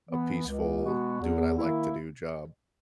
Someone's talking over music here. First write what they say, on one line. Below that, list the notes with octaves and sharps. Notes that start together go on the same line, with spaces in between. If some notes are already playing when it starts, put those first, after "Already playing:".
a peaceful "do what I like to do" job.
E3 B3
C#2
B2 G#3 B3 F#4
E2
D#3 A#3 E4